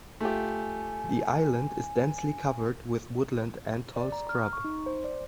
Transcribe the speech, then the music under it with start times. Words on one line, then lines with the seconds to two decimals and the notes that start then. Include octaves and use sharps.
The island is densely covered with woodland and tall scrub.
0.21 A3 F4 G4 G#5
3.96 D5
4.12 A#5
4.29 F6
4.53 C#6
4.64 D#4
4.86 C5
5.04 D5